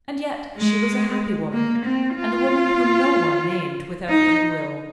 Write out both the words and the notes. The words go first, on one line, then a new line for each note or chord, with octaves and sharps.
And yet she was a happy woman, and a woman whom no one named without good-will.
G#3
A#3
C4
F4
D#4